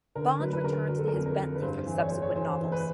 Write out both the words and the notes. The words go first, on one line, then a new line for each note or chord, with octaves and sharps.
Bond returned to his Bentley for the subsequent novels.
D3 A#4
F#3 B4
B4
D3 A#4
F#3 A#4
A4
A#4
F2
A#4
F2
B4
G2 C5
E3
C#5
E3 C5
C#5
E3 C5
E3
B4